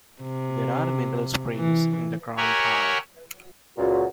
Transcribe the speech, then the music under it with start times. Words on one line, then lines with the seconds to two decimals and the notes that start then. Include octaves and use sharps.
There are Mineral springs in the Kronthal.
0.22 C3
1.56 E3
2.37 G4 A#4 C#5 E5 F#5 G#5
3.78 C#2 A#2 F#4